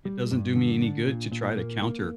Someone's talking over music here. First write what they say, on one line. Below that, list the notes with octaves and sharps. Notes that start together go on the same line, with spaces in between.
It doesn't do me any good to try to counter,
G3
G2
D3
D4
A#2
A#2
A#3
A#3